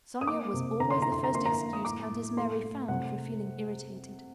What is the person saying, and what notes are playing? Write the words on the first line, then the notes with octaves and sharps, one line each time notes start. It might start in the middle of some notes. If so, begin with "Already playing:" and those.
Sonya was always the first excuse Countess Mary found for feeling irritated.
D#6
A#3 D6
C3
D3 A#5
C6
D3 A#5
C6
A#5
A#3 C6
A#5
A#3
D#6
A2 D6
A2
A3 C6
A3
C3 F#5